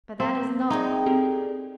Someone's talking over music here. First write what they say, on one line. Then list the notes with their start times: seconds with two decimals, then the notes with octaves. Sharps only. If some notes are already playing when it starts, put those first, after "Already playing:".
But that isn't all.
0.20 C4
0.70 A#2 D#4 G#4 E5 G5
1.06 C4 G4 A4